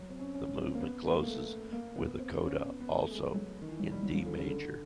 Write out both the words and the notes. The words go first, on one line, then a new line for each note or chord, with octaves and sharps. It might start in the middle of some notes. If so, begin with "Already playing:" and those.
The movement closes with a coda, also in D major.
Already playing: F#3
C4
C#4
C#4
C4
A#3
B3
A3
A#3
A3
A#3
B3
C4
C#4
B3
B3
A3
G#3
F#3
D#3
E3
F#3
G3
F#3
F3
D3
C#3
D3